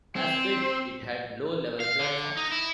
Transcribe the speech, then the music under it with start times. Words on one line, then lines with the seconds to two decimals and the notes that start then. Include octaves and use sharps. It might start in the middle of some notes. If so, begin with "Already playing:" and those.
As built, it had low-level platforms.
0.16 C4
1.80 F5
2.00 D3
2.37 D#4
2.52 E4